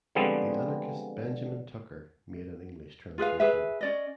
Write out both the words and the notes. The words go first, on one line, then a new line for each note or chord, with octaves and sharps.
The anarchist Benjamin Tucker made an English translation.
D3 F3 G3 G#3 B3 C4
F4 G#4 B4 F5
G#4 B4 E5
C#4 D5 D#5